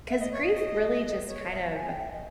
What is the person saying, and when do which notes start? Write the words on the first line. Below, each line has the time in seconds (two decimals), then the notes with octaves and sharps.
'cause grief really just kind of
0.09 E5
0.21 D#5
0.32 C#5
0.43 D#5
1.28 C#5
1.52 E5
1.76 G#5
1.88 G5
2.00 E5
2.12 D#5